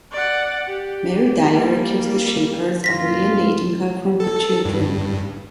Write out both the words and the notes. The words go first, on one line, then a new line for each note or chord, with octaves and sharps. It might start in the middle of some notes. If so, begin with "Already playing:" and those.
Mary Dyer accused the Shakers of alienating her from her children.
D5 F#5
G4
G3 A#3
F#2 A2 A#3 F4 A#6 B6
A4
G2